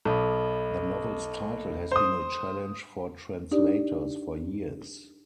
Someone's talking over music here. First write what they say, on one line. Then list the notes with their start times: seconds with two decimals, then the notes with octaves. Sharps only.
The novel's title has been a challenge for translators for years.
0.05 B1 A4 D#5 B5
1.92 C5 D#6
3.51 D4 D#4 G4 D5